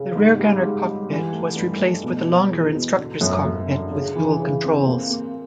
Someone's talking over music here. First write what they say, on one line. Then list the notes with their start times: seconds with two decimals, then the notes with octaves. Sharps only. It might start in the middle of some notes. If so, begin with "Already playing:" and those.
The rear gunner' cockpit was replaced with a longer instructor's cockpit with dual controls.
Already playing: C#3
0.16 G#2
0.39 G3
0.62 G#2
0.85 G3
1.10 E3
1.32 A3
1.56 G2
1.81 A3
2.03 B2
2.28 B3
2.51 E2
2.75 B2
2.98 D3
3.21 F#2
3.45 F#2
3.69 D3
3.92 C#3
4.16 E3
4.40 C#3
4.64 C4
4.86 A#3
5.10 A#3